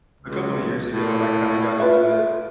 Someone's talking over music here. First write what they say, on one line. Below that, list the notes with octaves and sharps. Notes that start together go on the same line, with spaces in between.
a couple years ago, I kinda got into it
C#2
A2
F4 B4 E5